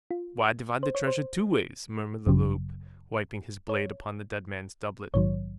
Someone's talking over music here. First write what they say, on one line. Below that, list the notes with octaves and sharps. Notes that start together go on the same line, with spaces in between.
"Why divide the treasure two ways?" murmured Le Loup, wiping his blade upon the dead man's doublet.
F4
C5
C#5
C5
G#1 F#2 C#3 F#3
C#5
A#1 G#2 D#3 F#3 C#5